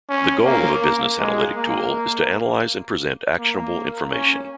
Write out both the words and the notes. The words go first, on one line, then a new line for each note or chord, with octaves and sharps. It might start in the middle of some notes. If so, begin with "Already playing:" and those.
The goal of a business analytic tool is to analyze and present actionable information.
C#4
A#3
A#3
G#3
A#3
A#3
A#3
C#4